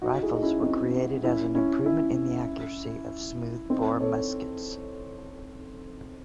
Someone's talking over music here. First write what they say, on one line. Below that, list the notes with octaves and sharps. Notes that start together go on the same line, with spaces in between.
Rifles were created as an improvement in the accuracy of smooth bore muskets.
D#4 F#4
E4 G#4
D#4
C#4 E4
C4 D#4
C#4 E4
C#4 E4
C#4 E4
C4 D#4
A4 C#5